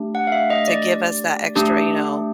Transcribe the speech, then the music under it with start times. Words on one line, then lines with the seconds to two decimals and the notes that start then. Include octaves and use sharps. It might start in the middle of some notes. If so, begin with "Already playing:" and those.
to give us that extra, you know,
Already playing: A3 D4 G4
0.15 F#5
0.27 F5
0.32 E5
0.50 D#5
0.68 D5
1.56 A3 D4 G4